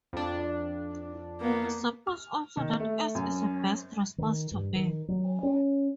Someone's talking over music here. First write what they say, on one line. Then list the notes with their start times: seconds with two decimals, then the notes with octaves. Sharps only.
Suppose also that S is a best response to B.
0.13 F2 D4
1.41 A#3 B3
2.07 F6
2.57 D#3
2.80 A3
3.15 F#2
4.18 D#3
4.51 G2
4.75 D#3
5.08 F#3
5.43 C#4